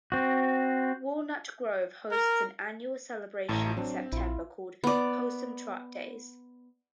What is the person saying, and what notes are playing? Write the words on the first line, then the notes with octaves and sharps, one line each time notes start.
Walnut Grove hosts an annual celebration in September called 'Possum Trot Days.
C4 F#4
A#4
A1 A2 A5 A#5
F#3 C4 D4
A#1 E4 F4
B3 D5